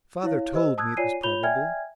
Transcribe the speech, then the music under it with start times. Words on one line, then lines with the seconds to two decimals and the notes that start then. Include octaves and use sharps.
'Father told me it was probable.'
0.23 E4 C#5 F5
0.53 G4 C5 D#5 E6
0.78 A5 D#6 E6 F#6 G#6
0.97 F4 C#5 D5 G#5 C7 D#7
1.23 F4 C#5 B5 G6 F7 G7
1.43 D5 E5 G5 G#5 F6 G#6